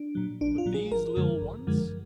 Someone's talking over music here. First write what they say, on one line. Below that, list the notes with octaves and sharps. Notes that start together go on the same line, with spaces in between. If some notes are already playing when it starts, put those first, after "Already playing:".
But these little ones!
Already playing: D4
A#2 F#3
A#1 D4
F4
A#2 F#3
G#4
G#1 A#4
F#2 D3 F3 G#3
G#1
F#2 D3 F3 G#3